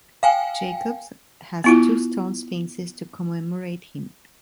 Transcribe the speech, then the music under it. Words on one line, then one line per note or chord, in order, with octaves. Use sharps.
Jacobs has two stone sphinxes to commemorate him.
F5 G5 G#5
B3 E4 F4